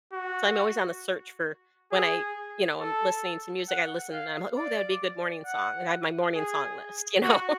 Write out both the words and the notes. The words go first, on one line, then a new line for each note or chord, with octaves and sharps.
So, I'm always on the search for when I you know, I'm listening to music, I listen and I'm, like, "Oh, that'd be a good morning song," and I have my morning song list, you know,
F#4
G#4
A4
F#5
F5
D5
F#5
G#4
F#4